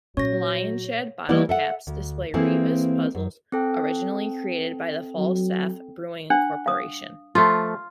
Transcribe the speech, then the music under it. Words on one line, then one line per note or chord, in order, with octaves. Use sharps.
"Lionshead" bottle caps display rebus puzzles originally created by the Falstaff Brewing Corporation.
A#2 F#3 C#4 C#5 A#6
E3 G3 A#3 B3 E4 D5
A4 E5 F#5
D2
E3 A#3 C4 E4 G#4 A4
F#2
C4 A4 G5
F#3
D4 F#5
F5 D#6
F3 A3 F4